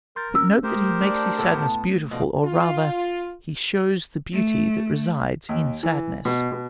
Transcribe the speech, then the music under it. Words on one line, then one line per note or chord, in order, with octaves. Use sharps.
But note that he makes his sadness beautiful; or, rather, he shows the beauty that resides in sadness.
A#4 C6 G6 A6
C#4 E6
A3 G4 A#4 C5 D#6
D4
A2 B3 A4
B2 D3 F3
F4
A3
D#2
E3
B2
B2